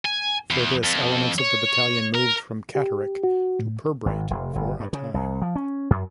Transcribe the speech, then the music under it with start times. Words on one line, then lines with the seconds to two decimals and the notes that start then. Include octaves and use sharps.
For this, elements of the battalion moved from Catterick to Pirbright for a time.
0.06 G#5
0.51 E2
0.83 F2
1.39 C#5
2.15 A#4
2.75 G4
3.24 F#4
3.59 A2
4.06 G#1
4.30 F1
4.55 G1
4.80 G2
4.93 C#3
5.14 C2
5.42 F3
5.55 C#4
5.90 F#2